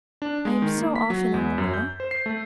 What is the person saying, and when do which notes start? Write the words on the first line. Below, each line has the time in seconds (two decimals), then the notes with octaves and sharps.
I am so often on the moor.
0.22 D4
0.45 G#3
0.62 D#3
0.78 A#3
0.96 B6
1.10 F#3
1.34 E2
1.58 F#2
1.74 G6
2.00 C5
2.11 C7
2.26 A3